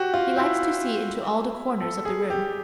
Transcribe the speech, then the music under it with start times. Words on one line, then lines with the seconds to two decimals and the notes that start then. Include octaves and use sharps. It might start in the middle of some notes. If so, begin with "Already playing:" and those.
"He likes to see into all the corners of the room."
Already playing: F#4 G4
0.14 F4
0.37 E4
1.81 A4
2.05 G#4
2.30 G4